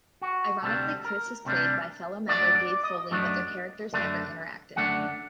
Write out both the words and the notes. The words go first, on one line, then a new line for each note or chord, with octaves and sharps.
Ironically, Chris is played by fellow member Dave Foley, but their characters never interacted.
F#4
D2 C3 G3 D4 A4
A#4
D2 C3 G3 D4
F#2 F#3 A3 D4 D5
D5
D#5
F#2 F#3 A3 D4
F#2 D3 A3 D4
F#2 D3 A3 D4 F#5